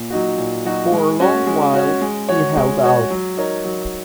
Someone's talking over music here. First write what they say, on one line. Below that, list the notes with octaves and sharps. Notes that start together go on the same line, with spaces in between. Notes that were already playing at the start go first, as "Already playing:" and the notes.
For a long while he held out.
Already playing: A#2
F#3 D#4 F#4
A#2
F#3 D#4 F#4
G#3
C#4 F#4 C#5
G#3
C#4 F#4 C#5
G#3
F#4 C#5
G#3
F#4 C#5
F#3
D#4 A#4 C#5
F#3